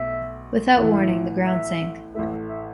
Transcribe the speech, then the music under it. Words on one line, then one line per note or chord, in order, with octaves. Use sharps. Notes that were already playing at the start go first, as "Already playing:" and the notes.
Without warning, the ground sank.
Already playing: B1 B2 A3 E5
A1 A2 E3 E5
E5
A1 A2 A3 E5
E5